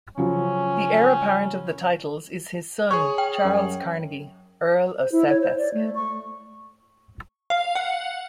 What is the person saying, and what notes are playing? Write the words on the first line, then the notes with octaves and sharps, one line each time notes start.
The heir apparent of the titles is his son, Charles Carnegie, Earl of Southesk.
C#3 F3 F#3 C#4
G#4 C#5 C#6
G5
F#2
C5
E4
C#5
C5
D5
A3
C#6
F5
F#5